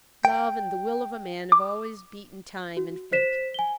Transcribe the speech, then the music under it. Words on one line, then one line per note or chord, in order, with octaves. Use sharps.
Love and the will of a man have always beaten Time and Fate.
G5
D6
F#4
C5 B6 E7
G#5 G7